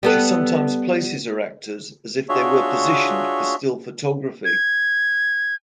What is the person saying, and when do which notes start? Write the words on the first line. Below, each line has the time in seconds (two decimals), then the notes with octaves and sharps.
She sometimes places her actors as if they were positioned for still photography.
0.03 G3 B3 A4
2.29 D4 F4 F#4 G#4 C#5 E5
4.45 G#6